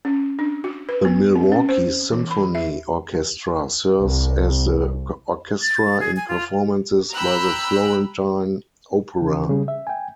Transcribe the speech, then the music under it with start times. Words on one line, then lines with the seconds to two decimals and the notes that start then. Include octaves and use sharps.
The Milwaukee Symphony Orchestra serves as the orchestra in performances by the Florentine Opera.
0.05 C#4
0.39 D4
0.64 F#4
0.89 B4
1.05 B3
1.35 C4
1.52 C#4
1.69 C5
2.12 E3
2.31 B5
2.55 E5
4.00 C2
5.62 A6
6.00 G#4
6.16 G#5
6.28 F4
7.14 G5 A#5 B5 E6 F#6 G6
9.21 C#3 E3 C#4
9.50 C#3 G3 G#4
9.68 E5
9.87 G5 G#5